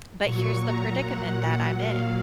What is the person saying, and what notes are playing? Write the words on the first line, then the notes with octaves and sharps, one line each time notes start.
But here's the predicament that I'm in.
A#2 F#3 C#6
A#5
F#5
A#2 F#3 F5